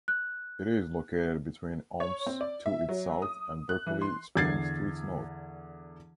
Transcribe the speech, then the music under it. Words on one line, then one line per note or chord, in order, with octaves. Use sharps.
It is located between Omps to its south and Berkeley Springs to its north.
F#6
C#5
C4
D5
E5
F#3
D#6
F#6
E3
C6
E2 D3 G#6 A6 C7